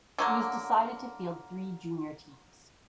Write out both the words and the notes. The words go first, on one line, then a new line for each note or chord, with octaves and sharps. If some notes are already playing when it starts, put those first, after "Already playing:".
It was decided to field three junior teams.
D3 F#3 A#3